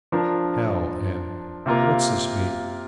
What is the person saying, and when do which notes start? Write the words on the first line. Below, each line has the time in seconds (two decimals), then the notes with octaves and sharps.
"Hell and--What's this mean?"
0.12 F3 D4 A#4
1.66 C3 A#3 F4 A#4